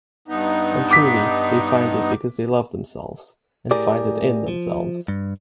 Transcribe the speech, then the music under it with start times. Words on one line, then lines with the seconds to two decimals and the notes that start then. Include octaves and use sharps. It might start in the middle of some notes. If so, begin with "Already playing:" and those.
And truly they find it because they love themselves and find it in themselves.
0.28 G2 B3 D#4
0.91 D6 B6
3.71 A2 G4 G#4 A#4 D5
4.48 F3
5.08 G2